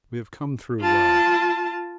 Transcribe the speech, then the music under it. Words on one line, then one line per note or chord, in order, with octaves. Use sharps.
We have come through well.
F4 A5